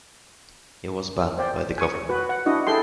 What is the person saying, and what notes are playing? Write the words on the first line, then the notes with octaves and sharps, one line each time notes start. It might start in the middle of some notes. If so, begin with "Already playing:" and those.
It was banned by the government.
C5 D5 G5
G#5 C#6
F#4 B4
F#5
D4 E4 F#4 D#5
E4 G#4 A4 G5 C6